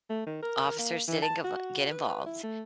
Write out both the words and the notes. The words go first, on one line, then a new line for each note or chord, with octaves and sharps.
officers didn't get vo get involved,
A3
D#3
A#4
A#3
E3
A5
F#4
B4
E4
A3